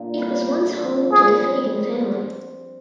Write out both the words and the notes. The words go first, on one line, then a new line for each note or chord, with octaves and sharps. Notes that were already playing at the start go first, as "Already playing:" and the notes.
It was once home to the Fagan family.
Already playing: A#2 D3
G3
D3
F3
G3 G#4
C4